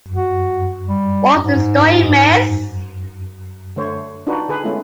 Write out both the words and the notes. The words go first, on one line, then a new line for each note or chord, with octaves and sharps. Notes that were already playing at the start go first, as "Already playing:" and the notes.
What's the story, miss?
F#4
G3
G#2
D3 A3 C5 C#5
D4 D#4 F4 F#4 B4
D3 G#4 B4
G#3 A3 B3 C#4 E4 F4